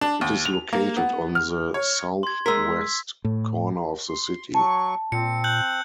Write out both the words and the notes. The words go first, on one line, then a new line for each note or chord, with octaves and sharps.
It is located on the southwest corner of the city.
D4
D#2
F7
A#3
B3
F6
C#5
C6 G#6
G#3 A#4 E6 B6
A2
C6
F#3 A5 C#6
A#2 C4 C#7
F#6 G6 F#7